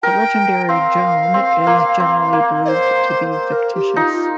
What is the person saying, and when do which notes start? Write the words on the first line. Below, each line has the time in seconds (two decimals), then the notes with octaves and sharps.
The legendary Joan is generally believed to be fictitious.
0.03 A#4 G5
0.68 C4 F5
1.34 C4
1.67 A#3
2.00 C4
2.33 A#3
2.65 D#5
2.68 C5
3.31 C5
3.52 A#4
3.75 G4
3.96 D#4 F4
4.13 F4